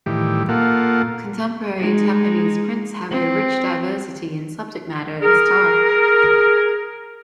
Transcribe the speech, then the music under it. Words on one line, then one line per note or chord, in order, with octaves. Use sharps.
Contemporary Japanese prints have a rich diversity in subject matter and style.
A2 D#3 E3 G3 G4
A#2 A#3 F4 A4 F#5
G#3 D#4
C4
G#4 A#4